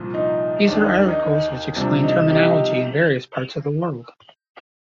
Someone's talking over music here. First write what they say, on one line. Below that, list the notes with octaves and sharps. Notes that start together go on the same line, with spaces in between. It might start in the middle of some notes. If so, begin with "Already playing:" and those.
These are articles which explain terminology in various parts of the world.
Already playing: C2 A#2 F3
D#4
D#2 D#3 D4
D#4
D4
D#4
D#4
D#4
C2 C3 F3 D4
D#4
D#4 G4